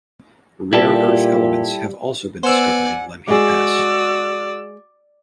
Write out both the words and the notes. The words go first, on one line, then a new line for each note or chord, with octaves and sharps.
Rare earth elements have also been discovered in Lemhi Pass.
A#2 G3 E4 G4 A4
B3 C5 D5 F#5 G#5 E6
G#3 F#4 G#4 D5 E6